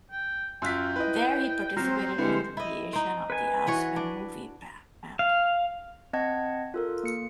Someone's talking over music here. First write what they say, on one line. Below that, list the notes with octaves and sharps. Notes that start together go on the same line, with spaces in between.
There he participated in the creation of the Aspen Movie Map.
G5
F#2 F4 G5 C6 E6 F#6 B6
E4 B4 D#5
F#3 C4 C5 A#5 F6 A#6
D3 G3 G#3 C4 E4 B4
E4 D#5
C4 D#4
B4 G#5
E3 F#4 C#5
D4
F5
C4 D#5 F#5 A5 G#6
F4 A4 A#4
A#3 C#7